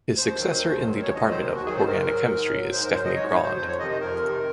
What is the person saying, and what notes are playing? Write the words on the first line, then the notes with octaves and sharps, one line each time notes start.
His successor in the department of organic chemistry is Stephanie Grond.
D#2 C5
D#3 F#3
D#2
D#3 F#3
D#2 C#5
D#5
D#3 F#3
C5
D#2
F#4
D#3 F#3 G#4
C5
G#2 A#4
F#3
G#2
F#3
G#2 C5
A#4
F#3 C5
D#5
G#2 C#5
C#5
F#3
C5
F2 C5
C#5
C3 D#3 D#5
C5
F2 A#4
C3 D#3